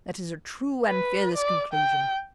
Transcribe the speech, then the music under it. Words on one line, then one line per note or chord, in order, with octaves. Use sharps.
That is a true and fearless conclusion.
B4
D5
G5